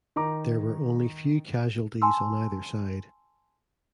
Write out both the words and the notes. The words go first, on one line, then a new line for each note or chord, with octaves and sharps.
There were only few casualties on either side.
D#3 D#4 A#5 D6
G#5 A5 C6 E6